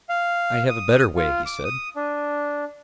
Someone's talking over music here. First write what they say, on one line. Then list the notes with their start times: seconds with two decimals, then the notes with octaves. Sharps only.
"I have a better way," he said.
0.09 F5
0.69 D#6
1.16 F4
1.46 D6
1.64 D#6
1.96 D4